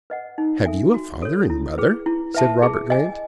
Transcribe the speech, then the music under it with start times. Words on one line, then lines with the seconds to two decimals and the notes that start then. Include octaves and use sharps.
"Have you a father and mother?" said Robert Grant.
0.10 B4 D#5 F#5
0.38 D#4
0.66 A4 E5 G#5
0.94 F#4
1.22 A4 C#5
1.50 E4
1.78 G#4 B4
2.06 E4
2.35 B4 E5 A5
2.62 G#4
2.90 D#5 G#5